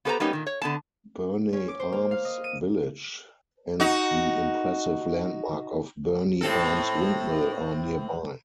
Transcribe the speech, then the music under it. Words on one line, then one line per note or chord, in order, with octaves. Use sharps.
Berney Arms village and the impressive landmark of Berney Arms Windmill are nearby.
B3 G4 A4 B4 C5 A#5
G3 A#3 B3 C#4 D#4 G4
A#2 D#3
C#5
D3 B3 A5
C#4
D6
C5
A#3
F5
D#5
D#7
D#4 F#4
A2 C4 A4